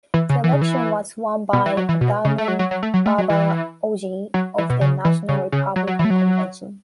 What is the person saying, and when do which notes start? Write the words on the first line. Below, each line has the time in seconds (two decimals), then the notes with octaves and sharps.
The election was won by Adamu Baba Augie of the National Republican Convention.
0.14 E3
0.29 C#3
0.44 E3
0.53 C#3
0.61 E3
1.53 B2
1.66 E3
1.77 F#3
1.89 E3
2.01 B2
2.25 C#3
2.38 A3
2.48 F#3
2.59 F#3
2.71 F#3
2.83 A3
2.94 F#3
3.06 A3
3.18 F#3
3.30 E3
4.34 F#3
4.58 E3
4.70 B2
4.81 C#3
5.05 E3
5.29 C#3
5.52 C#3
5.76 F#3
5.87 F#3
5.99 E3
6.05 A3
6.10 F#3